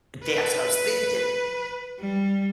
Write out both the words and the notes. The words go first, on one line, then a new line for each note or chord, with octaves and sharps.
That's what I was thinking.
B4
G3